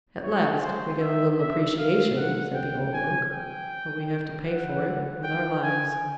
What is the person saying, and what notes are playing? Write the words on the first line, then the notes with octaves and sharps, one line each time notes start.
"At last we get a little appreciation," said the old Oak, "but we have to pay for it with our lives."
C#5
C5
E5
E5
F5
F#5
G5
G#5
G5
F#5
G5
G#5